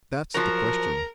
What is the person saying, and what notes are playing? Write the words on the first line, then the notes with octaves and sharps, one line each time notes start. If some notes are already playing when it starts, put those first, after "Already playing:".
That's the question.'
F3 F#3 A#4